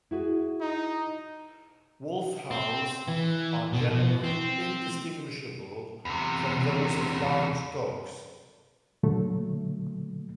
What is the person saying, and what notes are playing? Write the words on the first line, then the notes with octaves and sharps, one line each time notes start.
Wolf howls are generally indistinguishable from those of large dogs.
E4 F#4 G#4
D#4
C4
E3
B2
B2
C4
E2 C3
A#2 D3 F#3 A3